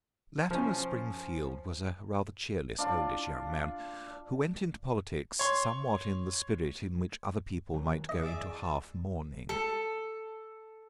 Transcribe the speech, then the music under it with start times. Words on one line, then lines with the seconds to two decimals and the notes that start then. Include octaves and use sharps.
Latimer Springfield was a rather cheerless, oldish young man, who went into politics somewhat in the spirit in which other people might go into half-mourning.
0.51 F3 C#4
2.78 D4 F4
5.39 C#5 C6
7.74 D#3 F#3
8.09 E2 E3 D#5
8.22 G#4 D5 E5
9.49 A4